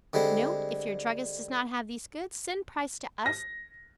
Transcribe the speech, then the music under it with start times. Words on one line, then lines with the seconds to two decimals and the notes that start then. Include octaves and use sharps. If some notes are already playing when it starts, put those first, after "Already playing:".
NOTE.--If your druggist does not have these goods, send price to us.
0.13 D3 G3 G#3 C4
3.26 A#6